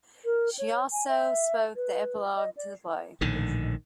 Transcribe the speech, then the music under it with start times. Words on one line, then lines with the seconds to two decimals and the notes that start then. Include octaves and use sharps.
She also spoke the epilogue to the play.
0.25 A#4
0.58 C#5
0.92 G#5
1.08 E5
1.76 B4
2.36 D#5
2.57 D5
3.21 A#1 A2 D3 D#3